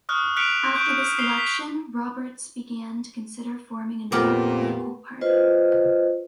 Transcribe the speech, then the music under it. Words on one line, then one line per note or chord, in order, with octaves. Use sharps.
After this election, Roberts began to consider forming a new political party.
C#6 D#6 F6 F#6
F6 F#6 B6 C#7 D7 F7
C#6 G6 D7
C7 F7 G7
B6 F7
F2 A#2 B3 G4 A#4
F4 B4 C5 D#5